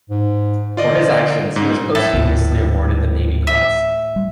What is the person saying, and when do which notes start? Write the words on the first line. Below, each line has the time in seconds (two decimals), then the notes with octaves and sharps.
For his actions he was posthumously awarded the Navy Cross.
0.10 G#2
0.77 D3 F4 D5 D#5
1.56 G#2
1.95 A2 A4
2.14 D2 G#2 C3
3.47 E5
4.16 G3